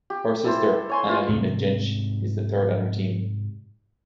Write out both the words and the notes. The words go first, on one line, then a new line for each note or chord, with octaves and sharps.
Her sister, Analena Jentsch is the third on her team.
G4
E4 A4 C5
C#5 G#5 C6
C#4 E4 F4
G#2 C3 C#4 D4